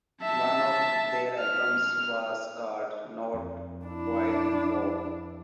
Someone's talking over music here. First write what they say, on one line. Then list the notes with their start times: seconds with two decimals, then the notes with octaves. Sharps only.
One of their albums was called "Not Quite Folk".
0.22 E5 A5
1.39 F6
3.34 F2
3.85 D4 E4